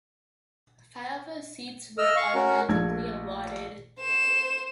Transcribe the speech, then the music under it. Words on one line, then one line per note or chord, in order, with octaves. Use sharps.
Five of the seats were automatically awarded.
D#5 E6 F6
F5 C#6
C#4 F#4 A#4
A#1 A3 G#6
C5 E7